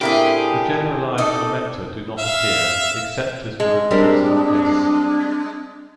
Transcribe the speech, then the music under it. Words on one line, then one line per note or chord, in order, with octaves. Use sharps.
The generalized momenta do not appear, except as derivatives of "S".
A2 A#3 C4 D4 E4 G4 G#4
D#4 A4 D5
E5 F5
G#3
G3 C4 D4 A#4